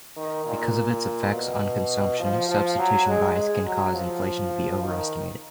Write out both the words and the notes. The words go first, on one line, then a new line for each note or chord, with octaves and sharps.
Because of its effect on consumption, substitution bias can cause inflation to be over-estimated.
D#3
A#2
B2
F3
F3
F#3
G#3
G#3
F#3
F3
D#3